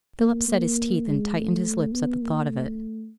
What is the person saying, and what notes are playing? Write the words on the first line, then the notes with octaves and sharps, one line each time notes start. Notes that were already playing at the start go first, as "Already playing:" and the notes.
Philip set his teeth and tightened his lips at the thought of it.
A#3
A#3
G#3
A3
B3
A#3
A3